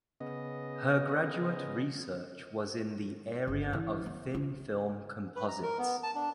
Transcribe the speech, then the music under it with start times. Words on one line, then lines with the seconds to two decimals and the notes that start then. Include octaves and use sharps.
Her graduate research was in the area of thin film composites.
0.20 C#3 B3 D#5
3.47 G1
3.73 E3
4.06 B3
4.35 F4
5.36 B4
5.48 A#5
5.63 A#4
5.78 B3
6.03 A5
6.15 D4